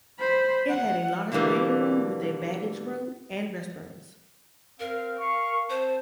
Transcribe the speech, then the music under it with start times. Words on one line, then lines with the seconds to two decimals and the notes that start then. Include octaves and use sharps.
It had a large waiting room with a baggage room and restrooms.
0.19 C5 B5
0.69 F#5
1.32 B2 D3 E3 G3 A#3
4.80 C4 A#4 F5
5.19 F5 C#6
5.70 C4 C5 A5